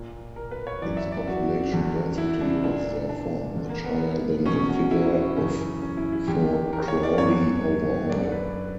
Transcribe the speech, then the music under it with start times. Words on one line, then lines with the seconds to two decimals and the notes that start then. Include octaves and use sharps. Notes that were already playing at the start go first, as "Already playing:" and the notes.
Its population density was therefore -much higher than the figure of for Crawley overall.
Already playing: A#2
0.36 A#4
0.51 B4
0.67 C#5
0.82 F#2 E3 D5
0.97 E5
1.12 D5
1.27 F#4
1.73 E2 D3
2.18 E4
2.41 D4
2.64 A#2 D4
3.09 D4
3.55 E2 D3
3.69 A#3
3.84 B3
4.46 E2 B2 C#4
4.69 F#4
4.91 E4
5.37 F#2 C#3 E3 C#4
5.82 C#4
5.97 E4
6.12 E4
6.27 E2 D3 G4
6.73 A#4
6.88 C#5
7.03 D5
7.18 F#2 D3 C#5
8.09 F#2 D3 D5
8.32 B4